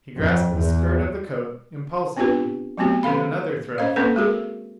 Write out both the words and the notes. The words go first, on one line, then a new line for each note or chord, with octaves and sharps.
He grasped the skirt of the coat impulsively and another thrill followed.
F2
E2
B3 C4 D4 F4 G4 B4
F#3 A3 B3 C4 F#4 G4
D#3 C#4 A4 F5 B5
C#4 C5 D#5 F5
A#3 C4 C#4 A4 B4
G#3 F#4 G#4 A#4